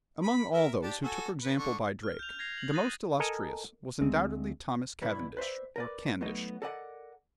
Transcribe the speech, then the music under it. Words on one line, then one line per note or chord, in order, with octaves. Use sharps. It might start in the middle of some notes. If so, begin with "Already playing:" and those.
Among all those who took example by Drake, the most illustrious was undoubtedly Thomas Cavendish or Candish.
B5
A#4 E5
D4 G4 A5
F#4 A4 G#5
B4
D3 C#6
F6
G6 F7
G#6 A#6 C7 F7
F#7
D#6 F#6 A6 A#6 D#7
A4 A#4 D#5 G#5
D2 G#3 C4
B1 B2 B3 D4 E4 B4
B4 C5 D5 E5
A#4 B4 D5
F#3 A3 B3 D#4 D#5
A4 A#4 D5 D#5 F#5